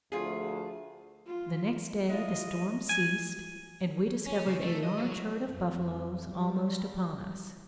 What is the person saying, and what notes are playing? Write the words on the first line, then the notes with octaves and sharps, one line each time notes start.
The next day the storm ceased, and we discovered a large herd of buffaloes almost upon us.
D2 F3 A3 F4 G#4
F4
G#3 E4 F4 D#5
G#5
C#4
C#3
A3
D#5
F#3
F2
G3